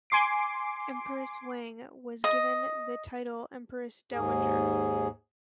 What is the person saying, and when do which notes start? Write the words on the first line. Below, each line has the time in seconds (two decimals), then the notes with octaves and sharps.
Empress Wang was given the title empress dowager.
0.10 G#5 C6 D6 C7 D7
2.24 D#5
4.12 D#2 G#2 G#4